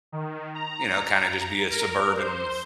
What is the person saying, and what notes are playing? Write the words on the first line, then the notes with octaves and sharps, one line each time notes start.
you know, kinda just be a suburban
D#3
A#5
A#4
C5